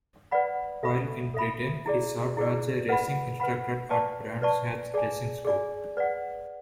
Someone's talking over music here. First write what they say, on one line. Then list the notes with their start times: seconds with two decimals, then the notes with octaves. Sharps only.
While in Britain he served as a racing instructor at Brands Hatch racing school.
0.31 B4 D5 F#5 B5
0.83 A4 E5 B5
1.34 A4 E5 B5
1.86 E4 G#4 D5
2.37 E4 G#4 D5
2.89 B4 F#5 B5
3.40 B4 F#5 B5
3.91 B4 D5 A5 C#6
4.42 B4 D5 A5 C#6
4.94 G#4 D5 G#5
5.45 G#4 D5 G#5
5.97 B4 D5 F#5